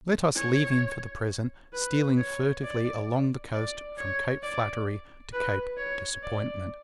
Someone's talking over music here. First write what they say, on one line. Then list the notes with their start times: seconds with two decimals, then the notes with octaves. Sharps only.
Let us leave him for the present stealing furtively along the coast from Cape Flattery to Cape Disappointment.
0.37 C#5
1.73 B4
2.17 C#5
2.62 D5
3.53 D5
3.98 C#5
4.43 D5
5.33 B4
5.78 C#5
6.23 D5